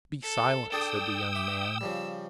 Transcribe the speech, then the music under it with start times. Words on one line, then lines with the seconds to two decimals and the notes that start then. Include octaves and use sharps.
"Be silent," said the young man.
0.22 A4
0.72 D4 G#4 A4 G5 D#6 E6
1.35 E5 D6
1.81 C#3 F3 G3